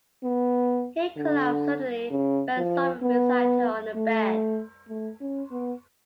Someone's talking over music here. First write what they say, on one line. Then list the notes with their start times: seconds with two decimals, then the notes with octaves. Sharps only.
He collapsed suddenly, fell sobbing beside her on the bed.
0.24 B3
1.17 D3
2.11 C#3
2.57 F3
3.03 B3
3.96 A3
4.89 A3
5.21 C#4
5.51 B3